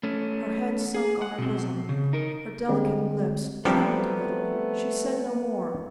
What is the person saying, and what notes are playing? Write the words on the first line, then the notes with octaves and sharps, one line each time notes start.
Her head sunk on her bosom; her delicate lips trembled a little; she said no more.
A3 C#4
G#4
F#5
B2 C4
C#3
D#4 A#4
D3 G3 G#3 C4
F3 G3 A3 B3 C4 D4 G4 A#4